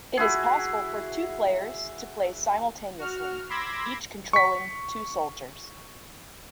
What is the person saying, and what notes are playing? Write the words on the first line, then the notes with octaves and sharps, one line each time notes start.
It is possible for two players to play simultaneously, each controlling two soldiers.
E4 F#4 G#4
F#4 F6
B5 C6 D6 E6 G#6 A#6
C#6 B6